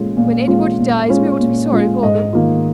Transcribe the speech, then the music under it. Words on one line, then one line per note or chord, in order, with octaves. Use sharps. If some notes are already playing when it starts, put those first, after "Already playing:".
When anybody dies we ought to be sorry for them.
Already playing: A#2 G#3 C#4 F4
A#2
G#3 C#4 F4
A#2
G#3 C#4 F4
A#2
G#3 C#4 F4
G#2 D#5
D#3 A#3 F4